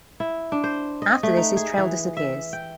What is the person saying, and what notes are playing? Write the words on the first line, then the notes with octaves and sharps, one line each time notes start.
After this, his trail disappears.
E4
D4
C5
D#5
A3
D#4
G#4
E3
E5
G5